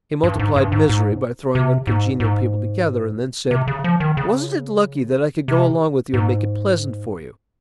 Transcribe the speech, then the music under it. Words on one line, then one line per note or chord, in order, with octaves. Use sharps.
He multiplied misery by throwing uncongenial people together and then said: 'Wasn't it lucky that I could go along with you and make it pleasant for you?'
G2
G#2
G2
G#2
G#2
C3
G#2
G#2
C3
C#3
F3
D#3
C#3
C3
G#2